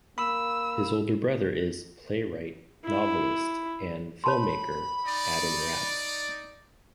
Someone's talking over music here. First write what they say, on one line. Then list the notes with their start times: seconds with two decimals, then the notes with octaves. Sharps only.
His older brother is playwright, novelist, and filmmaker Adam Rapp.
0.18 A#3 B5 E6
2.85 E4
4.24 C#5 A5 B5 C6
5.06 D#4 D5